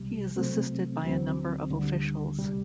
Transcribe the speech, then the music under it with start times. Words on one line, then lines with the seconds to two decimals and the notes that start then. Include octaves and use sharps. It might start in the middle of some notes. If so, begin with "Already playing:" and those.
He is assisted by a number of officials.
Already playing: C2 C3 G3
0.36 C3 F#3 A3 C4
1.03 D2 D3 F#3 C4
1.70 D2 D3 G3
2.38 C2 C3 G3